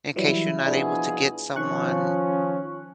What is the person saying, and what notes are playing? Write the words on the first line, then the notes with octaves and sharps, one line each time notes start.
in case you're not able to get someone
E3 F#3 G3 E4
B2 F3 D4 G#4
D#3 F3 C#4 C#6 F#6